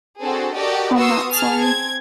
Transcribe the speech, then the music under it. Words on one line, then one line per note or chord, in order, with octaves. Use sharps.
I’m not sorry.
C4 D4 F#4 G#4 A4 C5
F#4 G4 A4 A#4 D5 D#5
B3 F#4 C6 C#6 D#6 E6
G#4 A5 F6
C4 G#6